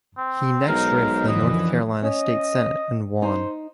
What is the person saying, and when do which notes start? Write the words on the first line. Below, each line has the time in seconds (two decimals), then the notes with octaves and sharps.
He next ran for the North Carolina State Senate and won.
0.18 C4
0.69 B1 G#3 D#4 A#4
1.28 F#2 D3 E3 F3 D#5
2.02 C#4 D#5
3.22 D#4 C5